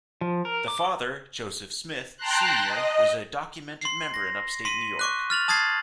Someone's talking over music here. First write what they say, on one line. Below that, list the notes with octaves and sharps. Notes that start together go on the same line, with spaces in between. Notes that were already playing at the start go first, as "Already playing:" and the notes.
The father, Joseph Smith, Senior was a documented member in upstate New York.
F3
A#4
D6
G5 A5 A#5 C6 F#6
D#5
C6 C7
A#6
C6 B6 D#7
C#6 D6 F#6
F6 A6 F7 F#7
A5 D#6 G#6 A6 C7 F#7